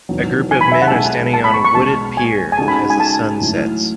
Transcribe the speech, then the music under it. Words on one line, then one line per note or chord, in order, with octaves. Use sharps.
A group of men are standing on wooded pier as the sun sets.
E1 E2 D#3 F#3
G#5
B5
E5
F#5
A5
B1 B2 G#3 G#5
A5
B5
C#6
C#6
B1 B2 G#3 A5
G#5
G#5
C#3 G#3 D#4 F#4 A4 A5
B5
G#5
A5
A1 A2 F#3 A3